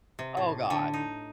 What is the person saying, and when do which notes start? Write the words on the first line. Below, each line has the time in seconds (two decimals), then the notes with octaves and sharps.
Oh god.
0.19 C3
0.37 A2
0.70 D3
0.94 D#4